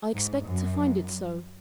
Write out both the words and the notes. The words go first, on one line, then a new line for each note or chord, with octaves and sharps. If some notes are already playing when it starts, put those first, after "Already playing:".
I expect to find it so.
G#2
F#2